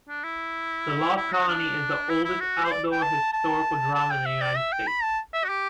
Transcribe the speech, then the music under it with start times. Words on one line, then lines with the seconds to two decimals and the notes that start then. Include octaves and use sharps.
"The Lost Colony" is the oldest outdoor historical drama in the United States.
0.08 D4
0.24 E4
1.17 E4
1.32 F#4
1.48 D4
2.10 E4
2.25 E4
2.40 F#4
2.65 C5
2.71 D5
2.92 G5
3.02 A5
3.33 A5
3.95 A5
4.10 G5
4.26 E5
4.41 D5
4.57 E5
4.72 G5
4.87 B5
5.03 A5
5.33 E5
5.44 F#4
5.49 G4